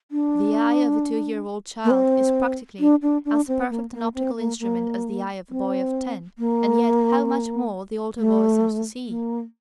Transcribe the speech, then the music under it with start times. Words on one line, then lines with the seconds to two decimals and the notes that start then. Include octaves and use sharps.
The eye of a two-year-old child is practically as perfect an optical instrument as the eye of a boy of ten, and yet how much more the older boy seems to see.
0.11 D4
1.84 A#3
1.90 C4
2.80 D4
3.02 D4
3.25 D4
3.48 C4
3.70 A#3
3.93 A#3
4.15 C4
4.38 A#3
4.60 A#3
5.50 C4
6.38 A#3
8.19 A3
9.08 A#3